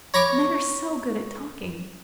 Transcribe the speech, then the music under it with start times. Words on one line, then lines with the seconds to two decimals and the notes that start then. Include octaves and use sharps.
Men are so good at talking!
0.14 C#5 A#5 B5 C#6 D6